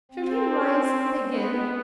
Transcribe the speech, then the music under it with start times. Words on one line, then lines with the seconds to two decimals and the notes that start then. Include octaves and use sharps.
Should he rise and begin?
0.11 C4
1.20 B3